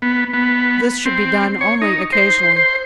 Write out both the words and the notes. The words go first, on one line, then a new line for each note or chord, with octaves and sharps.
This should be done only occasionally.
B3
B3
C4
C#5
D#4
C5
C5